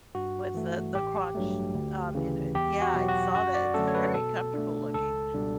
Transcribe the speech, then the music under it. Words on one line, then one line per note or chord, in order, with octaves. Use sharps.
with the the crotch, um, and and yeah. I saw that, it's very comfortable looking!
G2 F#4
E3 A3
A1 G4
G2 F#3 A3
D2
C#3 E3
E2 G4
F#4
B2 F#3
F#4
F#2 F#4
D5
D3 F#3 A3 C#4 A4
C#5
B4
B2 A4
A3 D4
C#2 A4
B2 G3 D4